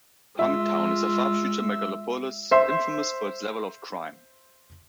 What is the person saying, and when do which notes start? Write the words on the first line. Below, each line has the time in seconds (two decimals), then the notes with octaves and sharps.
Punktown is a far-future megalopolis, infamous for its level of crime.
0.39 G#3 F4 E5 E6
2.51 C5 E5 C6